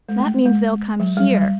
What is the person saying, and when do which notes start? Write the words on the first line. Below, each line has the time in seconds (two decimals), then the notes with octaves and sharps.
That means they'll come HERE.
0.09 G#3
0.20 A3
0.46 G#3
1.00 F#3
1.17 G3
1.35 G3